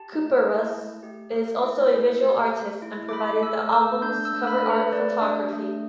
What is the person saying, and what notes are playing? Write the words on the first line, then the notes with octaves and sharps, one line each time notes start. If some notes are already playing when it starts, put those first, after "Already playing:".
Kuperus is also a visual artist and provided the album's cover art photography.
Already playing: G4 A5
A3
E4
A3
G4
A3
E4
A3
G4
A3
E4
D6
A3 B5
A4 E6
A3 E6
D4 G6
E6
A3
B5
A4
B4
A3 D5
D4
A3